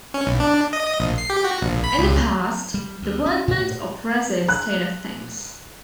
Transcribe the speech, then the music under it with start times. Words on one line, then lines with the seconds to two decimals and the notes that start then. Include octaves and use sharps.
In the past, the word meant oppressive state of things.
0.14 C#4
0.27 B1
0.40 D4
0.73 D#5
1.00 A#1
1.18 C7
1.30 G4
1.44 F#4
1.62 A#1
1.84 B5
1.98 C#2
2.74 G3
3.02 D2
3.26 C#4
3.48 A2
4.49 F#6